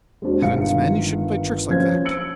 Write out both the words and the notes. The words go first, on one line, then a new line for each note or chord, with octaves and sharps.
"Heavens, man, you shouldn't play tricks like that!"
G#3 C4 D4 F#4
G1 D#3 G#3 B4 F5 C#7
F3 C#4 C5 G#6
E6 C#7 D7 F#7